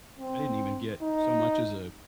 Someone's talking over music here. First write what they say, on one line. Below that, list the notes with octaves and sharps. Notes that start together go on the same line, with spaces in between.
I didn't even get so much as a,
C4
D#4